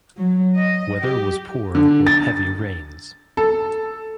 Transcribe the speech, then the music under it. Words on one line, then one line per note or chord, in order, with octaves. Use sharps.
Weather was poor with heavy rains.
F#3
D#5
G4
D3
A6
A4